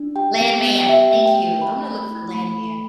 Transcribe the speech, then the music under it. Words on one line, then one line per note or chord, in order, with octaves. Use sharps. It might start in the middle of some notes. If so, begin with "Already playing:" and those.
Landman. Thank you. I'm gonna look for Landman.
Already playing: D4
G4 G5
B3
G4
G5
G4 E5
A3
G5
G4
A3 B5
A3
B5
E4
A3 B5
A4